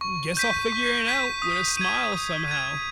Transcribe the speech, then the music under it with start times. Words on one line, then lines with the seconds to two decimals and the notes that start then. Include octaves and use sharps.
guess I'll figure it out with a smile somehow."
0.01 C#6
0.37 G6 B6 D#7
0.72 C#6
1.07 G6 B6 D#7
1.42 D#6
1.77 G#6 D#7
2.13 D#6
2.48 G#6 D#7